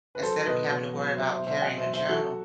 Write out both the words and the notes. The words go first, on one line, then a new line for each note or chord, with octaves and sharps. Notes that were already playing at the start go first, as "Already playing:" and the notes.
instead of me having to worry about carrying a journal,
B4
F#3 A4 C5
B2 B4 D#5
B2
F#3
F#3 C5 E5
C5 E5
B2
C5 E5
B2 D#5 F#5
C5 E5
F#3
C5 E5
F#3 F#4 A4